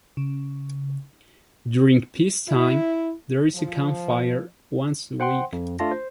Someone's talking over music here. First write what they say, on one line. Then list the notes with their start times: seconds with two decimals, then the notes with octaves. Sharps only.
During peace time, there is a campfire once a week.
0.17 C#3
2.49 E4
3.56 F3
5.20 C5 F#5 G5 C6
5.53 F2
5.79 A3 D4 F4 A5 A#6
5.91 C5